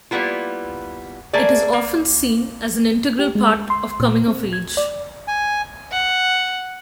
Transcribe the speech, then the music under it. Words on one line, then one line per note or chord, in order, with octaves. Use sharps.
It is often seen as an integral part of coming of age.
G3 A#3 B3 E4 F4
A3 A#3 G#4 D5
A#3
G4
G#3
C6
A#2
C4
G#6
D5
G#5
F#5